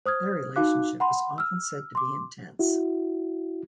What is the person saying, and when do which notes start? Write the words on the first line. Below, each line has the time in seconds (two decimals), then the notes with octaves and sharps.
Their relationship is often said to be intense.
0.06 C5 D#6 F6 G#6
0.56 D#4 F#4 F5 D6 F#6
1.00 F#5 B5 C6
1.38 E6 F6
1.95 C6 D6
2.59 E4 F#4